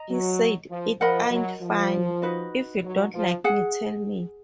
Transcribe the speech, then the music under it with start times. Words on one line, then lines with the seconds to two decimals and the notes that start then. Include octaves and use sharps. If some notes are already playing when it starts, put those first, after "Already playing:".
He said, It ain't funny...if you don't like me, tell me.
Already playing: D#5 A#5
0.09 F#3
0.70 F3
1.01 F3 A#4 D#5 F#5 B5
1.31 F#3
1.61 F3
2.22 D#4 F#4 B4 D#5
2.84 F#3
3.14 F3
3.44 G#4 F#5